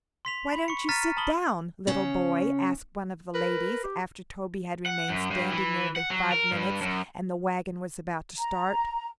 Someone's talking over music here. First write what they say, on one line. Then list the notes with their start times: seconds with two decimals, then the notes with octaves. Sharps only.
"Why don't you sit down, little boy?" asked one of the ladies, after Toby had remained standing nearly five minutes and the wagon was about to start.
0.25 C6 B6 F7
0.53 B5
0.68 C#6 C#7
0.89 A#5 F6 A6 B6 D#7
1.17 A5 B5 D#6 F#7 G7
1.87 C#3 C#4
3.34 A#4 B4
3.84 G4
4.86 F#5
5.09 F#2
5.31 G2
5.51 E3
5.96 F#5
6.11 F#3
6.32 A#4
6.52 G2
6.81 F#2
8.38 A#5